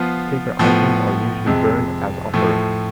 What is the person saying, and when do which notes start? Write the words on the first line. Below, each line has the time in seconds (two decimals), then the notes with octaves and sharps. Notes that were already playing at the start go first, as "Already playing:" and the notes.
Paper items are usually burned as offerings.
Already playing: F3 B3 F4
0.59 A2 F3 B3
1.46 F2 C3 G#3
2.33 A2 F3 A3